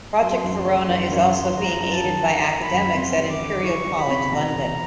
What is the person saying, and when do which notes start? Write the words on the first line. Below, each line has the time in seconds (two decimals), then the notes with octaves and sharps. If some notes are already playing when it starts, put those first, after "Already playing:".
Project Verona is also being aided by academics at Imperial College London.
0.21 F#3 C6
0.44 F#2
0.66 C#3
0.89 F#2
1.11 F#2
1.35 F#3
1.57 G#3 A#5
1.80 F#2
1.91 A5
2.03 D#3
2.26 D#3 A#5
2.49 D#3
2.60 B5
2.72 F#2
2.94 C4 C6
3.18 G3
3.29 D6
3.40 D3
3.63 E4 C#6
3.86 G3
3.97 B5
4.09 C4
4.31 B2 A#5
4.53 E2